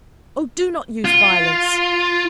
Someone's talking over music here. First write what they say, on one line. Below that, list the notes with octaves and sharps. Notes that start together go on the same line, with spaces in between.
'Oh, do not use violence!
F4